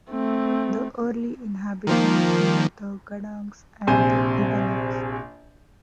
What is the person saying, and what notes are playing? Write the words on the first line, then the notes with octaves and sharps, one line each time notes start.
The early inhabitants were the Gaddangs and the Ibanags.
A3 C4
D#3 F3 A#3
A#1 C3 C5 G#5